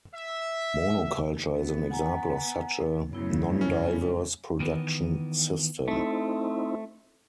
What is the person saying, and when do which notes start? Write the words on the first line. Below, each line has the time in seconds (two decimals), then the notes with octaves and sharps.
Monoculture is an example of such a nondiverse production system.
0.14 E5
1.57 B3
1.90 F#5 G#5 A#5
3.13 F#2 A2 C#3 B3 E4
3.61 C#4
4.60 D#3 E3 B3
5.88 A3 C4 D#4 E4